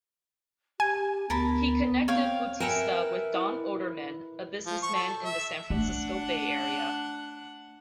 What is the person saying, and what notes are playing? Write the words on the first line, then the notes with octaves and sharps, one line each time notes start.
He connected Bautista with Don Odermann, a businessman in the San Francisco Bay Area.
G4 G#5
D2 B3 A#4 A5 B5
C4 C#5 F5 G5
A#4 B4 E5 G5 G#5 C#7
E4
F3
C#6
A4
E5
A3 D4 F#5